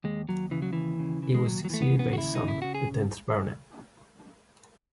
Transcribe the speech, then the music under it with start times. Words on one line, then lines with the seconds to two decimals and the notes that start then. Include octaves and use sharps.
He was succeeded by his son, the tenth Baronet.
0.04 D#2 G#3
0.28 D#2 F#3
0.51 C#3 E3
0.62 F#3
0.73 D#2 E3
0.99 C#3
1.23 E3
1.34 G#3
1.46 D#2 F#3
1.65 F#3
1.70 E3 A3
1.82 B3
1.94 C#3
1.99 B3
2.13 F#4
2.17 D#2 E4
2.35 D#4
2.41 C#3
2.48 E4
2.62 C#3 F#4
2.75 G#4